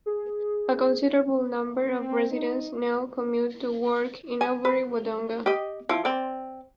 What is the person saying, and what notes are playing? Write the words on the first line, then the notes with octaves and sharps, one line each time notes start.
A considerable number of residents now commute to work in Albury-Wodonga.
G#4
C4
D#4
G#5
B4
G4 D#5
F3 E4
C4 D5